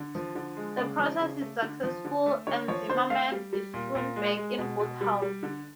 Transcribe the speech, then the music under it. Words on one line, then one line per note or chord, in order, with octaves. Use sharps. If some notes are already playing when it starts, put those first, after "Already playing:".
The process is successful, and Zimmerman is soon back in good health.
Already playing: D3
F3
D3
G#3
C#3 D5
F3
C#3
A3
D3
F3
D3
A3
D3 C#5
F3 C#5
D3 C5
A3 F5
G3
G3
A#2
A#2
G#3
G#3
B2
B2
G3
G3
D3